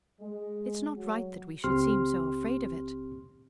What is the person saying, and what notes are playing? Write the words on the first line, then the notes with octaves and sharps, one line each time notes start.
It's not right that we should seem so afraid of it.
G#3
F#3
C#2 C4 G4 C6 F6